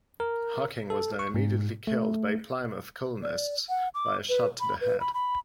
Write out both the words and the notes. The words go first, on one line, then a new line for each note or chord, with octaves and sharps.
Hocking was then immediately killed by Plymouth colonists by a shot to the head.
A#4
A4
C#6
G#2
A3
D5
F#5
D6
B4
B5
B4
B5
B5